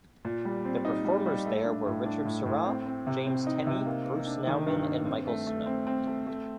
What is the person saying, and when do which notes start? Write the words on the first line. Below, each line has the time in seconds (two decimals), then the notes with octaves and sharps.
The performers there were Richard Serra, James Tenney, Bruce Nauman and Michael Snow.
0.25 A#2
0.45 G3
0.65 C4
0.85 D#4
1.05 G3
1.26 G3
1.46 A3
1.65 D4
1.86 A2
2.06 D4
2.25 A2
2.46 A2
2.66 C4
2.86 C4
3.07 C3
3.27 C4
3.47 D#4
3.67 C3
3.86 A#3
4.06 A#3
4.27 D4
4.47 D#3
4.67 G2
4.87 G2
5.06 C4
5.27 A3
5.47 A3
5.66 C4
5.87 C4
6.07 A3
6.27 A3